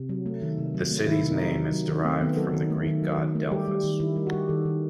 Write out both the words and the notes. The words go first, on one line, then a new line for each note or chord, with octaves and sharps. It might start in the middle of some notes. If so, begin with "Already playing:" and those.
The city's name is derived from the Greek god Delphus.
Already playing: C3
F#3
A3
D#3
C3
F#3
A3
D#3 E4
C3
D#4
F#3
D#3
F#3
D#3
A3 C4
D#3 B3
F#3 A4
D#3
A3
D#3
F#3
D#3
A3
G3 G4
G3
D#3
D#3 E4
G3
F#4
G3 G4
D#3 A4
D#3